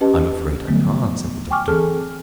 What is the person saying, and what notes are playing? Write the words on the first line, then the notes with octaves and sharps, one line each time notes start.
"I am afraid I can't," said the Doctor.
C#4 G4 B4 D#5 A5
D3 F3 F#3 A3 B3
G5 G#5 C#6 D6 F6
E3 C4 G#4 A4 A5 F6